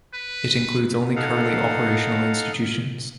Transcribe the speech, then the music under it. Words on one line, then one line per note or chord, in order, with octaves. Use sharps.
It includes only currently operational institutions.
B4
D#4 A4 F5 F#5